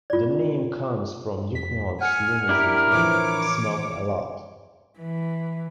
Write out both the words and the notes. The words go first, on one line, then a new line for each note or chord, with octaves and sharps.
The name comes from Yukmouth's Luniz nickname, "Smoke-a-Lot".
F4 D5
F2 B6
F#5 G#5 F6 C#7
D4 E4 G4 A#4
A2 E3 F3 C#5 D6
E3